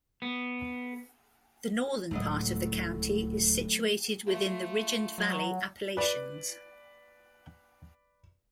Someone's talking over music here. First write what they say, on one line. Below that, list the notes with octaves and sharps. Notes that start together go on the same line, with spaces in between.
The northern part of the county is situated within the Ridge-and-Valley Appalachians.
B3
D1 C#2 A2 F#3 G#3 D#5
A3 F4
F#3
B4 D5